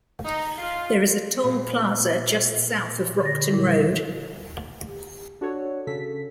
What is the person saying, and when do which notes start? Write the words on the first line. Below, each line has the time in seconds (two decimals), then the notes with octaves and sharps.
There is a toll plaza just south of Rockton Road.
0.25 D#4
0.58 F4
1.44 A#2
3.21 D3 A6 A#6
3.51 A#2 G3 E4
5.41 D4 F#4 A4 C#5
5.87 C#3 A4 B6